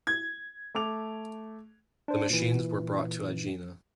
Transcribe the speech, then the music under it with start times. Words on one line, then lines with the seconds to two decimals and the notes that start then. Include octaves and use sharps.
The machines were brought to Aegina.
0.07 G#6
0.75 A3 D6 F7
2.08 D4 C5
2.30 A#2 E3